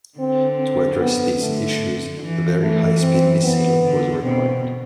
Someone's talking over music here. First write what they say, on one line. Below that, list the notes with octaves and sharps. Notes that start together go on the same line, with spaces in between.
To address these issues, a very high speed missile was required.
D3 C4
C4
B3
D3 A3
E3
E3 A3
C4
E3 B3
D3
B2 C4